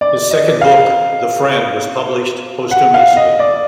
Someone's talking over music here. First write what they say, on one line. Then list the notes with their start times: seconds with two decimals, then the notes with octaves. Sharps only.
His second book, "The Friend", was published posthumously.
0.01 D5
0.31 D#5
0.61 F5
2.71 F#5
2.94 F5
3.16 D#5
3.39 D5